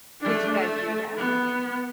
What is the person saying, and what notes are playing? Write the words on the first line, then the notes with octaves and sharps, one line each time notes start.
Did you guys do that?
A3 D4
A3
B3